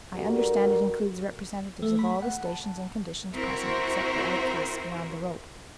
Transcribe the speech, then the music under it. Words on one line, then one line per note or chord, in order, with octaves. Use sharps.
I understand it includes representatives of all the stations and conditions present except the outcasts beyond the rope.
G2 G3 F#4 A4 A#4
A3
B5
F#5
A5
C4 E4 F#4 A#4 C5